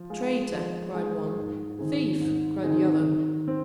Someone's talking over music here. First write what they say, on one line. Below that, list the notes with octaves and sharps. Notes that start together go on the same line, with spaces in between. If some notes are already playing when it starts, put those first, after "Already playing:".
Traitor, cried one; thief, cried the other.
Already playing: F3
G#3 F4
F3
G#3 F4
G#2
D#3 C4 D#4 G#4
G#2
D#3 C4 D#4 G#4
D#3
C4